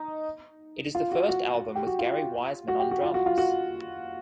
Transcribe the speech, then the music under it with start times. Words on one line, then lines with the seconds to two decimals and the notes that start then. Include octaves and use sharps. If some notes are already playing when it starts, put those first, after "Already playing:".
It is the first album with Gary Wiseman on drums.
Already playing: D#4
0.95 F4
1.12 F#4
1.29 F#4
1.75 G4
1.87 F#4
1.99 F4
2.68 F#4
2.80 G4
2.91 F#4
3.03 F4
3.14 F#4
3.26 F4
3.38 F#4